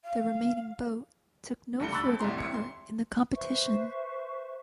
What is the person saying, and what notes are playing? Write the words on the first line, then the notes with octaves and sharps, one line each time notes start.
The remaining boat took no further part in the competition.
F5
F1 D3 G3 A3 C#7 G7
A#5 B5 C#6 E6 F#6 A6
F2
C2 A2 G3 E4 A#5 C6
G#1 E4 C#7
C6
B4 C5 E5 C#6